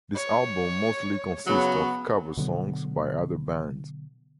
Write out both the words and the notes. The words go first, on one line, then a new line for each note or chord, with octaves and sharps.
This album mostly consist of cover songs by other bands.
C#5
C#3 F#3 B3
B2 D3 F#3 B3